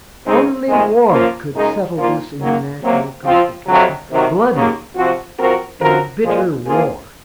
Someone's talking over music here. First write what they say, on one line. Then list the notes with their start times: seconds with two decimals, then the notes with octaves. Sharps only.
Only war could settle this international complication--bloody and bitter war.
0.25 C#3 G#3 C4 D#4 G#4
0.68 F2 C3 D#3 G#3
1.11 F3 A#3 C#4 F4
1.53 F#2 C#3 G#3 D#4 G#4
1.97 A#2 F3 A#3 F4
2.39 F#2 D#3 F#3 A#3
2.83 C3 F#3 A#3
3.25 F3 C4 F4
3.67 F2 C3 F#3
4.10 C3 D#3 F#3
4.53 D#2 C#3 F#3 A#3
4.96 C3 F3 C4 F#4
5.38 F3 C4 F#4 A#4
5.81 F#2 F3 C4 F#4 A#4
6.24 A#2 F3 G#3
6.67 F3 A#3 F4 G#4